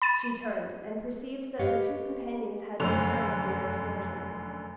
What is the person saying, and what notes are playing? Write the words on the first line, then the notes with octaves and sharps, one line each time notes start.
She turned and perceived that her two companions had returned from their excursion.
B5 A6 D#7
G4 B4 C#5 D#5 F5
F1 F#2 D3 F7